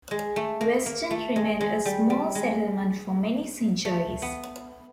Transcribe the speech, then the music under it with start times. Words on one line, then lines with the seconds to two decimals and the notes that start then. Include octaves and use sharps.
Weston remained a small settlement for many centuries.
0.11 G#3
0.36 A3
0.61 A#3
0.86 A#3
1.11 A3
1.36 G#3
1.61 G#3
1.85 G3
2.10 G3
2.35 G#3
3.85 A3
4.22 B3